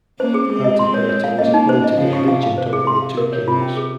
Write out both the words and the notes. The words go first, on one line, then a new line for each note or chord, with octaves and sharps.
Antipater was appointed as regent over the two kings.
A#3 C#4 C5
G#4
G#3 C4 G#4
D#5
C6
C#5
C#5
F5
A#3 C#4 D#5
D#4
C5
D#5
C#3 F3 F5
C#6
C3 F5
F5
C3 C5
G#4
C6
F5
A#4
C#5
C3 F4
C#4
G#4